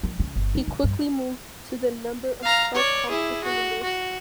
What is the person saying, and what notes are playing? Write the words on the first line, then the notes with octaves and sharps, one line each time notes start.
He quickly moved to the number of club competition leaders.
F3
C#3
G1
D#4
D3
G2
F5 A#5
C#5 D5
E4 G#4
F#4
F#4